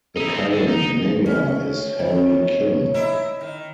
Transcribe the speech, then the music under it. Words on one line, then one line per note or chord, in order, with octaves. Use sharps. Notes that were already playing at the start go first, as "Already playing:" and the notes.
The current mayor is Harry Kim.
D#4 E4
D#3 C4
D3
D#4
C#4
C#5
D#3
D#4 E4 E5
D#3